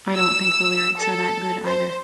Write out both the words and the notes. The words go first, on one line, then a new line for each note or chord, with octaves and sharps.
I don't think the lyrics are that good either.
E6
A4
C5